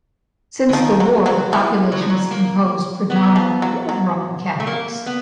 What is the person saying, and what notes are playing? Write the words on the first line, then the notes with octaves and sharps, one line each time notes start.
Since the war the population is composed predominantly of Roman Catholics.
E3
D#3 F3
F#3
F#3
E3 F3
F#3
F3
F#3
A#3
B3
F3
F#3
F#3
A3
A#3
B3